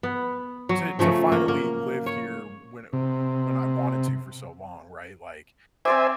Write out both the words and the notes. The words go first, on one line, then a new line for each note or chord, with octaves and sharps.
to to finally live here when, uh, uh, when I wanted to for so long, right? Like
B3
F#3
C#3 F3 F#3 A3
A#3
A#3
C#5
C3
C4 C5 D5 E5 G#5 D6